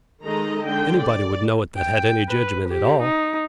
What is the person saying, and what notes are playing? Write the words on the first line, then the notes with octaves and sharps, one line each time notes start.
Anybody would know it that had any jedgment at all.
D#3 G#3 D#4 A4 D#5 A#5
D3 G#3 G5
D5
G5
B4
G4
D#4